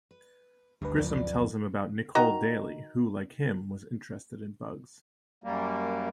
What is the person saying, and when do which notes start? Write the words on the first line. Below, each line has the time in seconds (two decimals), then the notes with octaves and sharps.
Grissom tells him about "Nicole Daley," who, like him, was interested in bugs.
0.11 B4
0.82 G1 D2 G2 D#3 B4 D#5
0.96 A#1 F#2 F3 A#4 D5
2.15 D#3 F#4 D#5 A#5
5.44 F#2 G3 A#3